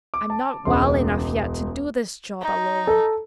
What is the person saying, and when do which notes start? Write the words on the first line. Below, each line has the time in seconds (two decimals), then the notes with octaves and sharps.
"I'm not well enough yet to do this job alone."
0.14 D6
0.30 A5
0.65 E1 C#2 C6
2.42 D#4
2.87 A4